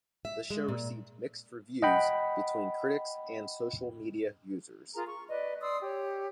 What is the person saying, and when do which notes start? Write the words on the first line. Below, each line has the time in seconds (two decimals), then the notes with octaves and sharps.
The show received mixed reviews between critics and social media users.
0.25 E5
0.50 G#3
0.68 A#2
1.82 D#5 F#5 G5 B5
4.95 F4 G#4 A#4 A#5
5.08 C#6
5.30 B4 D5 D#5
5.62 D5 C6 D#6 E6
5.82 G4 C#5